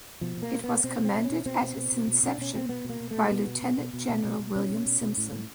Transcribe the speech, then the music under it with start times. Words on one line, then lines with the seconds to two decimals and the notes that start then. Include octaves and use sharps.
It was commanded at its inception by Lieutenant General William Simpson.
0.21 B2 F3
0.37 B2
0.42 A#3
0.53 B2
0.64 B2 B3
0.84 B2 C4
0.99 B2
1.05 C4
1.15 B2
1.24 C#4
1.30 B2
1.46 B2 C4
1.62 B2
1.77 B2
1.92 B2
2.07 B2
2.23 B2 D4
2.38 B2 C#4
2.54 B2 C4
2.69 B2 B3
2.84 B2 A#3
3.00 B2
3.11 A3
3.16 B2
3.31 B2 B3
3.47 B2
3.62 B2
3.78 B2
3.93 B2
4.09 B2
4.24 B2
4.39 B2
4.55 B2 C#4
4.70 B2
4.86 B2
5.01 B2
5.17 A2
5.32 A2